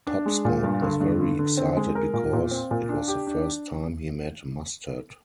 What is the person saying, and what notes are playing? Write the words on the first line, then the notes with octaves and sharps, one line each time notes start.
Pop Smoke was very excited because it was the first time he met Mustard.
D4
G#3
A#2
G2
D3
G2
D3
D3
C4
G#3
A#4
A#2
A#2
C4
A#2
D4
G4
D4